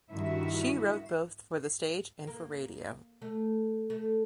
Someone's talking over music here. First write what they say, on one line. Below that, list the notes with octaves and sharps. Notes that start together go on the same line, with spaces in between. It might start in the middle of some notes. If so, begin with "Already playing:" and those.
She wrote both for the stage and for radio.
G2 D#3 E4 F#4 E5
A#3
A3
A3